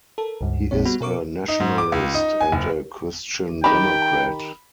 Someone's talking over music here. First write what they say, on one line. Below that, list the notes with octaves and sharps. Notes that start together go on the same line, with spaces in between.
He is a nationalist and a Christian Democrat.
A4 A#4
C#2 G2
A#1 F2 A#2 C4 C#5
G3 B3 F#4 B5
B2 A#4 C#6 D6
D#4
G#2
D6
C#2
D#4
G#5
F#1
D#3 G4 G5 B5